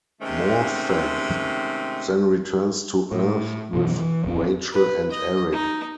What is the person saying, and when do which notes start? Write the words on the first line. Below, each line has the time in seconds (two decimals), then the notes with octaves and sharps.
Morpeth then returns to Earth with Rachel and Eric.
0.21 C3 D#3 G#3 A3 C4 C#4
3.12 A2
3.73 F#2 B2 E3
3.97 E3
4.24 D1 F2 C4
4.72 B4
5.11 D#5
5.52 D#4